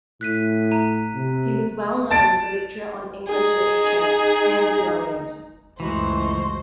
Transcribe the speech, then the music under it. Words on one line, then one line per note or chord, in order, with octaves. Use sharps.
He was well known as a lecturer on English literature and the Orient.
A2 F#6 B6 D#7
A#5 D#7
C3
A5 A6 D7
D#4 G#4
C#2 F#2 E3 G#3 A3 F#4 C5